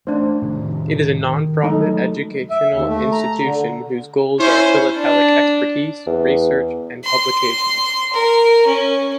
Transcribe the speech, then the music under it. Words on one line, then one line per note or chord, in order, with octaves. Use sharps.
It is a non-profit educational institution whose goals are philatelic expertise, research and publications.
A3 C#4 D4 C5
A2 C3 D#3
D#3
F#3 G#3 A3 D#4 A4 A#5
E5
D#2
A3
A#5
D3
C#4 E4 C5
D4
E2
C6
A#4
C#4